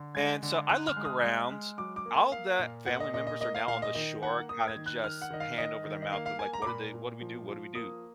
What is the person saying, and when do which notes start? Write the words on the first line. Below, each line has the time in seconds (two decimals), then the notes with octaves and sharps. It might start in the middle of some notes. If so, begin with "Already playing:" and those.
and so I look around. All the family members are now on the shore kinda just hand over their mouth to like, what do they "What do we do, what do we do?"
Already playing: D3
0.15 G#3 G#6
0.42 D3
0.69 D3 F#6
0.87 F6
0.96 G#3
1.05 D#6
1.23 G#3
1.51 G#3
1.78 F#3 D6
1.96 D6
2.06 A#3
2.14 G#5
2.32 A#3 F5
2.59 A#2
2.86 A#2 F#5
3.00 D#5
3.14 A#2 D#5
3.27 D#5
3.40 A#3 D#5
3.55 F5
3.68 A#2 F5
3.82 D#5
3.95 D#3 D#5
4.22 A#3 F#5
4.49 A#3 D#6
4.68 G#6
4.76 D#3
4.86 F#6
5.04 D#3 F6
5.22 F#5
5.30 D#3 D#5
5.40 F5
5.58 D#3 D#5
5.85 D#3
6.02 D#5
6.12 A#3 F5
6.26 F5
6.39 A#3 G#5
6.53 A#5
6.62 D6
6.66 A#2 B5
6.94 A#2
7.21 F3
7.48 F3
7.75 A#3 D#6